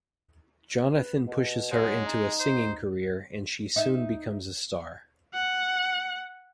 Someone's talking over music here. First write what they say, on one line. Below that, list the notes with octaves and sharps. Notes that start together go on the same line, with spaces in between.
Jonathan pushes her into a singing career, and she soon becomes a star.
B4
B2
F#3 G#3
D#4
C5
D#4 E5
F#5